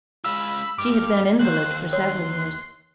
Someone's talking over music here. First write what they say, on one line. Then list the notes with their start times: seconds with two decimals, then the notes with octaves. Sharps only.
She had been an invalid for several years.
0.24 G#3 F4 B5 E6
0.78 G2 D6 F6
1.39 D#2 C5 F#6
1.93 C#5 C6